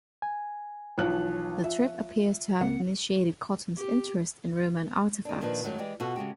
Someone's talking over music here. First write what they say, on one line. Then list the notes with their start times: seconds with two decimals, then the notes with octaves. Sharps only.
The trip appears to have initiated Cotton's interest in Roman artefacts.
0.22 G#5
0.98 B1 E3 F3 C#5 F#6
1.64 F4 E5
2.61 C#2 A#3 C4 F#5
3.76 G4
5.25 D4 D#4
5.41 A#2 D#3 F3 D4 B4
5.63 F#2 A#2 D#3 F#3 G#3 A3
5.78 E3 G#3 G4 D5
6.00 B2 F4 F#4 A4
6.16 C#3 G#3 F#4 G4